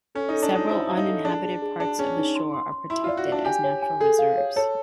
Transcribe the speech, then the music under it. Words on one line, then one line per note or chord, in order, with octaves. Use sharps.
Several uninhabited parts of the shore are protected as natural reserves.
C#4 A4
D#4 A4
D4
D#4 F4
E4 C5
F5
D#4
A4
D4 G#4
G#4
G#4
D4 G#4
C#4 G#4
D#4
C6
C6
C6
E4 C6
F4 D5
F#4
D4 D5
G4 G#5
C#5
G#5
G#4 A4
F5
C#5
A4 C#5